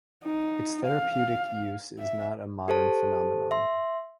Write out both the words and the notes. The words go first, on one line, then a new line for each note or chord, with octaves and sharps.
Its therapeutic use is not a modern phenomenon.
D#4
F5
E5
G4 A4 C5 A5
E5 C6